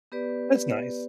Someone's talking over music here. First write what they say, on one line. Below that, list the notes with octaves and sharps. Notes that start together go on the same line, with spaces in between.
That's nice.
B3 G4 B4 D5